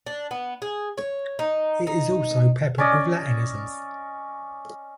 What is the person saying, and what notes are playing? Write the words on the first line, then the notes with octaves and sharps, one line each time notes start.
It is also peppered with Latinisms.
D4
B3
G#4
C#5
D#4
D#4
C#4 D5 D#5